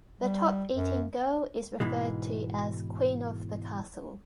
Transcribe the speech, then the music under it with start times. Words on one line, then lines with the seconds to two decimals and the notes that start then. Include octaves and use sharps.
The top-eating girl is referred to as Queen of the Castle.
0.21 G3
0.75 F#2
1.80 G#2 B2 E3 G#3